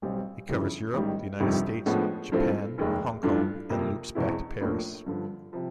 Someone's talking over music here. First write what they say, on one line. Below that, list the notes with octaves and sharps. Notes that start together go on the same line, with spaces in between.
It covers Europe, the United States, Japan, Hong Kong, and loops back to Paris.
B1 B2 G3 C4
G1 F2 C#3 E3
A1 G#2 D#3 G3
G1 F2 C3 D#3 G3
A2 F3 G#3 B3 D4
G2 E3 A3 C4 F4
F1 D#2 D#3 G#3
G2 E3 A3 D4 F4
F2 C3 F3 A#3
E2 B2 G#3 C4 E4
A#1 A2 F3 A#3 D4
G2 D3 F3
C3 F3